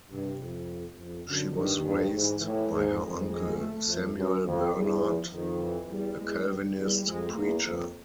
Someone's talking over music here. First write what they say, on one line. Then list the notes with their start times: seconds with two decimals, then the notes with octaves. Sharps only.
She was raised by her uncle Samuel Bernard, a Calvinist preacher.
0.11 G2 C3
0.41 F2
0.98 F2
1.27 F#2 D3
1.56 G2 D#3
1.84 G2 D#3
2.14 G#2 E3
2.43 A2 E3
2.72 G#2 G#3
3.00 F2 G#3
3.30 G#3
3.59 A3
3.87 F2
4.17 F#2
4.45 F2
4.74 E2 G3
5.04 F3
5.32 F2 D#3
5.61 E3
5.90 E2 G3
6.19 E2 G#3
6.48 G3
6.77 E2 G3
7.05 F2 G#3
7.35 E2 A#3
7.63 F2